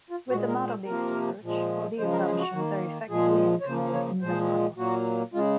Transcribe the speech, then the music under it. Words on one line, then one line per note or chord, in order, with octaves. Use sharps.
With the model-based approach, all the assumptions are effectively encoded in the model.
F4
A#2 G#3 F#4
A#4
C5
C3 F3 A#3 A#4
A#2 F3 G#3
C#3 F3 G#3 C5
A#4
G#4
F#4
D#3 A#3
A#2 F3 G#3 G#4
C#5
C#3 F3 A#3 C5
C#5
A#2 F3 G#3 C5
A#2 F#3 A#3 F#4
C#3 G#3 F4